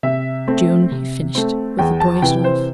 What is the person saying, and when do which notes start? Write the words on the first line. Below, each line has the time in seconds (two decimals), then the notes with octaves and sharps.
"June," he finished with a boyish laugh.
0.03 C3 E5
0.47 A3 C4
0.92 C3
1.35 A3 C4
1.79 E2 G5
2.00 A5
2.22 C3 E3 G5
2.44 C5